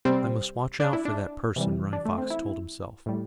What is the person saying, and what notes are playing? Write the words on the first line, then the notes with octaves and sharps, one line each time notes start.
"I must watch out for that person," Running Fox told himself.
C3 G3 C4
D4
E4
D4
C3 E3 G3
D4
A3
C4
E4
A2 G3